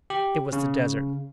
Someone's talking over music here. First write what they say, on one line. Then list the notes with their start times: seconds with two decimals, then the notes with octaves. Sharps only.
It was the Desert!
0.10 G4
0.53 C#3